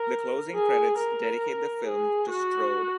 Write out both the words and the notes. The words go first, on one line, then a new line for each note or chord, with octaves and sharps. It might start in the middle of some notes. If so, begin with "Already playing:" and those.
The closing credits dedicate the film to Strode.
Already playing: A#4
G#4
A#4
G#4
F#4